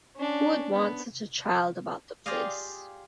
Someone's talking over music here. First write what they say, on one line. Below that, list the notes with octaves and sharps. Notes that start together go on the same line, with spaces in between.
Who would want such a child about the place?
C#4 D4
B3
F4 G4 G#4 D5 D#5 F5